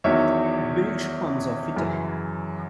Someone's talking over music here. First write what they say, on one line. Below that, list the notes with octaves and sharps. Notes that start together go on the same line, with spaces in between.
Bilge pumps are fitted.
E2 D#3 F#3 C#5 E5
F#2 C#3 E3